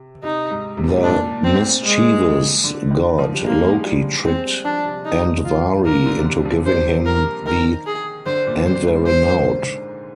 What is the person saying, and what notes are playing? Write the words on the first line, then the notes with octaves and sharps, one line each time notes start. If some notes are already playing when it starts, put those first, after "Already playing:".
The mischievous god Loki tricked Andvari into giving him the Andvaranaut.
Already playing: C3
C3 D#4
G#2
C3
A#2
G#2
A#2 D4
C4
G#3
D3
D#3
F3
G3
G#3 A#3
G#3
G3
G3
G#3 C4
G3
F3 D4
C3
D#4
F4
A#2 A#4
D3
C3
D3
F3
G3 C5
A#4
D#3 A#4
G#4
D3 C5
A#2
A#2 C5
G#2
C5